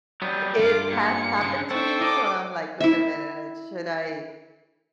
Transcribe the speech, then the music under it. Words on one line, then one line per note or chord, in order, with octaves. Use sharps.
it has happened to me, so I'm, like, "Wait a minute, uh, should I
F#3 G3 B3
D2 G2 F4 D6
A#2 C#7
C#3 D4
C4 A4 C5 E5 G5 C#6
D4 A#4 D#5 D6
E4 E5